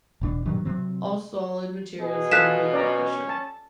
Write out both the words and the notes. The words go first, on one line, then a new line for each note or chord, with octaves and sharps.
All solid materials have a vapor pressure.
E1 B2 D4
G2 A#2 D#3 F#3
C3 F#3 C4
B2 G#4
F4 A4 F5 F#6 B6 E7
C#4 D5 A#5
A5